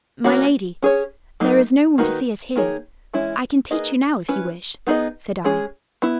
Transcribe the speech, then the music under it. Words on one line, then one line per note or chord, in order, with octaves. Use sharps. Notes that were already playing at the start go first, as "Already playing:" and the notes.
"My lady, there is no one to see us here; I can teach you now, if you wish," said I.
E3 A#3 C#4 F#4
C#4 G#4 C#5
F#3 A#3 D#4
D#3 A#3 D#4 F#4 B4
D#3 A#3 D#4 G#4 C#5
E3 G#3 C#4 E4
A#3 D#4 G#4 B4 D#5
C#4 E4 B4
B3 D#4 G#4 B4 D#5
G#3 C#4 G#4
B3 E4